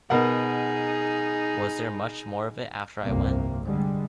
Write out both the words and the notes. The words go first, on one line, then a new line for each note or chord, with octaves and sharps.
Was there much more of it after I went?
B2 D#4 G#4 A#4 F#5
G1 C2 F2 C3 A#3 C4
D3 G3 G#3